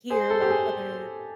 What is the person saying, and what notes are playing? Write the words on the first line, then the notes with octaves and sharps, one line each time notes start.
here while the other
G#4 C5
A4
G4
G#4